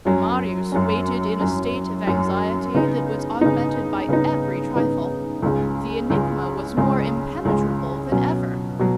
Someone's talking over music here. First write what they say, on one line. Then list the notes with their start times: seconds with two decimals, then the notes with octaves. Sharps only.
Marius waited in a state of anxiety that was augmented by every trifle. The enigma was more impenetrable than ever.
0.05 F#2 F#3 C#4
0.72 F#2 F#3 C#4
1.40 F#2 F#3 C#4
2.07 F#2 F#3 C#4
2.75 C#3 B3 D#4
3.41 C#3 B3 D#4
4.09 C#3 B3 D#4
4.76 C#3 B3 D#4
5.42 C#2 C#3 G#3
6.10 C#2 C#3 G#3
6.77 C#2 C#3 G#3
7.45 C#2 C#3 G#3
8.12 B2 F#3 C#4
8.79 B2 F#3